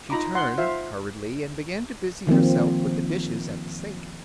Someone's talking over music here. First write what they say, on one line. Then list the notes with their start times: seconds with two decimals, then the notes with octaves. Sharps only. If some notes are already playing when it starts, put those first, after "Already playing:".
She turned hurriedly and began to busy herself with the dishes at the sink.
0.10 D#4 F4 A#5 B5 D6
0.35 F#5 C6
0.58 F4 C5 E5 F5
2.27 D#3 F3 A#3 C4